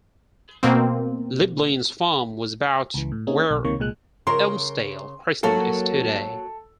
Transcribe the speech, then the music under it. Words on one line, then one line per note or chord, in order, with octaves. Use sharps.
Lieblin's farm was about where Elmsdale Crescent is today.
B2 A#3 C4
C#2 E3
A2
A#3 C#4 D#4 G#4
B1
C#2 C3 D#3 A#3 C#5 C#6
C2 A#2 G#3 F#6
C#3 A#4 C6
F#3 A#3 F#4 A4